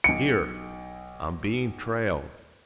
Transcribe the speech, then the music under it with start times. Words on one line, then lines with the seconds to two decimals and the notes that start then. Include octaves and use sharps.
"Here, I'm being trailed."
0.04 B1 C#7 D7